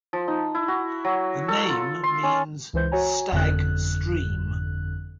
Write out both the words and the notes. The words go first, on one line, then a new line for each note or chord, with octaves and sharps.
The name means 'stag stream'.
F3
D#4
E4
F#4
F#3
A4
F4
C6
C#4
C#2 E3 C5 G6
F#4 C#5 G#5 A#5
G1 F2 D3 F#6